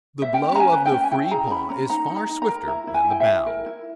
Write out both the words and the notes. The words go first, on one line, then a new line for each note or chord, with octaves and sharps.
The blow of the free paw is far swifter than the bound.
E5
C#4 G5
C#4 A#5
G#5
B4
G5
C#4
G#5
E4 G5
G#4 A#5
C#4 B5
C#4 A#5
D#4 A#5
D#4
A#5
D#4
A#5
A#4
E4 A#5
E4
G#5
E4 G5
E5
E4
A#4
E4